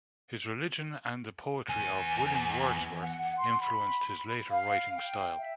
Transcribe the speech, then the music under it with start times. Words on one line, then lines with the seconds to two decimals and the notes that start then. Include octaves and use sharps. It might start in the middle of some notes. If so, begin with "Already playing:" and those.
His religion and the poetry of William Wordsworth influenced his later writing style.
1.69 E2 G#5
3.02 F#5
3.37 C6
3.60 B5
4.50 F5
4.96 G5
5.38 E5